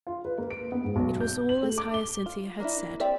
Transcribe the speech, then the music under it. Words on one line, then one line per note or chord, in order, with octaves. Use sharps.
It was all as Hyacinthia had said.
F4
B4
A#3
D7
B3
G#2
B1
G6
F#7
A3
D6
G7
F4
A#3 D4 E4
C4 G4 D5 E5